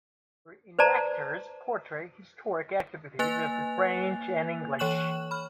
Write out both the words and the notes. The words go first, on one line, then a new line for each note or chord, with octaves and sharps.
Re-enactors portray historic activities of the French and English.
B4 C5 D5 A5 A#5
A#3 B4 G#5 F#6 A6 F7
E3 C#5 C#6 F#6 E7 F#7
B5 F6